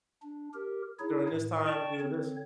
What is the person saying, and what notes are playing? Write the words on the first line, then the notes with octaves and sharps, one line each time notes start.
during this time, do this"
D4
G4 A#4
D#4 E4 G#4 C#5
A2
D5 G5 A5 C#6
D3 C4 C#5